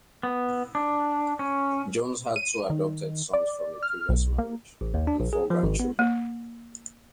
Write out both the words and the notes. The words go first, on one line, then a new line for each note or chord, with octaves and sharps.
Jones had two adopted sons from a previous marriage, and four grandchildren.
B3
D4
C#4
D#7
D#3
D5
F6
B1
A#3
A1
D#2
D4
A#1
G#4
F3
G#1
B3
A#3